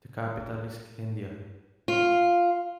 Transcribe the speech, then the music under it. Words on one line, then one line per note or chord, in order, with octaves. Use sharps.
The capital is Kindia.
F4